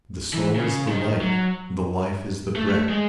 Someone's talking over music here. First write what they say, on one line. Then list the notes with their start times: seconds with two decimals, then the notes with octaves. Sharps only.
The soul is the life, the life is the breath.
0.33 E3
0.56 C#3
0.89 D#3
1.22 F#3
2.56 A3
2.89 G#3